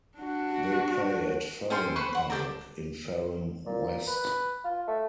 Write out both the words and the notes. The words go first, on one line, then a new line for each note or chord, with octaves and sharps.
They play at Farum Park, in Farum West.
D4 F#4
C#4 A4 G5 C6
B4 C5 B5 C#6
F#5
D4 G4 A4 A#4
A#2
B4
F4
A3